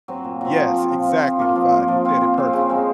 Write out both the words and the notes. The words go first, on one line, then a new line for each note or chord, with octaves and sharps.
Yes, exactly the vibe, you said it perfectly.
F#3 C4
A#2
F#3 C4
F3
C4 F4
F3
C4 F4
F3
A#3 F4
F3
A#3 F4
F3
C4 F4
F3
C4 F4
C#3
G#3 C4